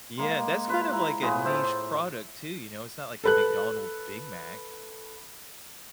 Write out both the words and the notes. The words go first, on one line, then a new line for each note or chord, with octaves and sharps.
yeah, that's kind of like a niche product too, you know? It's not like a McDonald’s Big Mac.
G#3 A#3 C6
F4 B4 B5
E4 A#5
A2 B3 F4 G#4
C5 E5 A5
A4 B4 F#6